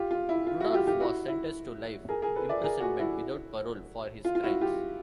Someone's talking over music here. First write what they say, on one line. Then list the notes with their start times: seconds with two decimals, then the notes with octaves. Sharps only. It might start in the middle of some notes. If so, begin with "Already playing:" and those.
Rudolph was sentenced to life imprisonment without parole for his crimes.
Already playing: F4 G4
0.11 F4
0.29 E4
0.47 F4
0.60 E4 F#4
0.73 F4 G4
0.87 F4 G4
1.00 E4 F#4
1.28 E4
2.09 G#4 A#4
2.22 G#4 A#4
2.36 A4 B4
2.49 D5 E5
2.63 G#4 A#4
2.80 F#4 G#4
2.99 E4 F#4
4.25 F4
4.35 F4
4.43 E4 F#4
4.61 F4 G4